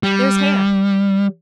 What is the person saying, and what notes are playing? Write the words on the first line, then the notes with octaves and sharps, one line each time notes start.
There's hair.
G3